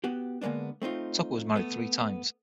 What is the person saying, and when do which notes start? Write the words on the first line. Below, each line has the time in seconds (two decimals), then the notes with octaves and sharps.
Tucker was married three times.
0.04 B3 F#4 G4
0.41 D3 G#3 A#3 B3 D4
0.82 A3 C4 D#4 F4
1.56 A3 B3